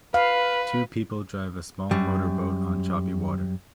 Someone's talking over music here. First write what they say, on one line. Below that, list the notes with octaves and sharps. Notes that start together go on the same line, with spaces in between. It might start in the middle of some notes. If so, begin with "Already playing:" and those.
Two people drive a small motor boat on choppy water.
B4 F5
F#2 G3